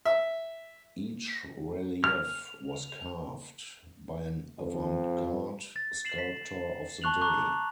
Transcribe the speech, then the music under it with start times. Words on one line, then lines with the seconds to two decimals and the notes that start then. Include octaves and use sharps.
Each relief was carved by an avant-garde sculptor of the day.
0.05 E5
2.04 F6
4.59 F2
5.76 A6
6.05 C7 E7 F#7
6.18 B6
7.02 A5 C#6 F#6 F7 F#7
7.21 A#5 C#6 D6 F#6